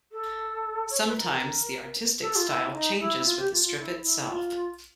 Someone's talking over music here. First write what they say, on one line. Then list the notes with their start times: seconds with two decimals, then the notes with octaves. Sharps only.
Sometimes, the artistic style changes within the strip itself.
0.12 A4
0.90 C#5
0.98 C5
1.08 B4
1.16 A#4
2.20 A4
2.35 F4
2.47 E4
2.72 D#4
2.99 E4
3.18 E4
3.25 F4
3.38 G4
3.51 F4
3.64 F4
3.77 E4
4.03 E4
4.20 E4
4.29 F4